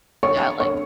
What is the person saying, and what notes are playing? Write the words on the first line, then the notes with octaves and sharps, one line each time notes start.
Yeah, like
C#5 C#6
C#5 C#6